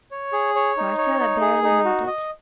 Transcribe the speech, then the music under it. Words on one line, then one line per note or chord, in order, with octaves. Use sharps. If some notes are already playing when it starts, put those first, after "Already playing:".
Marcella barely nodded.
C#5
G#4
C#5
D#4
C#5
D#4
G#4
D#4
F#4
D#5